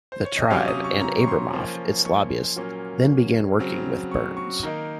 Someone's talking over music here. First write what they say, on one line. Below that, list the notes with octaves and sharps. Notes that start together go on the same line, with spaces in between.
The tribe, and Abramoff, its lobbyist, then began working with Burns.
C5
C#5
D#5
C3 F#3 C#4 F5
D#6
C#6
A#5
C#6
C6
F3 A#3 C#4
C#6
A#2 F#3 A#3 C#4
C#3 F#3 C4
C#6
C#6
D#3 A#3 D#4 A#5